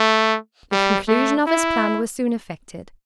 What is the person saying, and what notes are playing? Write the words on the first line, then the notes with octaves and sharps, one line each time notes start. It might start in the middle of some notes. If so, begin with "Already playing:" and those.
The conclusion of his plan was soon effected.
Already playing: A3
G3
A3
E4